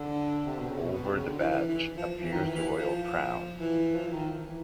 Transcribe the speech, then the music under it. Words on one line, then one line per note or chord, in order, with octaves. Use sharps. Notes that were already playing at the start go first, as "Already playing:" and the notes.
Over the badge appears the Royal Crown.
Already playing: D3
C3
B2
C#3
B2
B2
C3
C#3
D3
E3
E3
E3
F3
F3
E3
D#3
E3
E3
F3
E3
F3
E3
D#3
E3